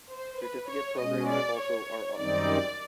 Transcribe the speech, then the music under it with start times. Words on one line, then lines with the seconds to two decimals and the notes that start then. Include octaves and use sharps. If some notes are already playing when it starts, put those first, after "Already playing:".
Certificate programs also are offered.
0.09 C5
0.39 B4
0.68 C#5
0.97 B2 G#3 C#4 D#5
1.27 D5
1.57 C#5
2.16 F#2 D#3 G3 C4 D#4 D5